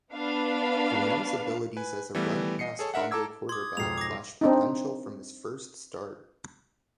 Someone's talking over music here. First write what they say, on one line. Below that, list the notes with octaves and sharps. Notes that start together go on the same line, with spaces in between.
Brunell's abilities as a run-pass combo quarterback flashed potential from his first start.
B3 D4 B4 F5
B4 G#5
E3 G3 A3 B3
D#5 C7 C#7
G#4 A4 C#5
D4 A#4 E5 F#5
A4 A#5 D6 E6 G#6
C6 D6 D#6 G#6
B1 F2 G#2 C7 F7
D6 A#6
C4 D4 D#4